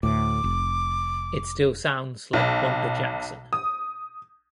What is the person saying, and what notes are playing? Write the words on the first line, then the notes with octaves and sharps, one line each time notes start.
It still sounds like Wanda Jackson.
D2 A2 D6
F1
B1
D#6